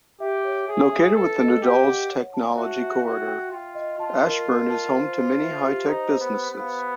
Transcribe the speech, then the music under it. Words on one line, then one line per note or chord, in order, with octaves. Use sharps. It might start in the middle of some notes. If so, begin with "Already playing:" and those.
Located within the Dulles Technology Corridor, Ashburn is home to many high-tech businesses.
G4 E5
C#5
G#4 E5
E5
A4 B4
D#5
G4 F#5
F#5
C#5
A5
F#4 E5
E5
F#4 G5
G5
F4 G5
D#5
F4 A5
A#4
A#4
A5
C5
C5
E5
G4
D#4 C5
C5
B3
C5
B3
F5